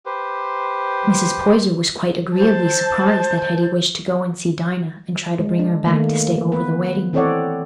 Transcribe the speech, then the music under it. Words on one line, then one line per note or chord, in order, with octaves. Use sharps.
Mrs. Poyser was quite agreeably surprised that Hetty wished to go and see Dinah and try to bring her back to stay over the wedding.
G4 B4 C5
C5 A5
G#3
D4
D#3 A3 A#3
B3 B4
E3 C4 A4 C#5 D5 F#5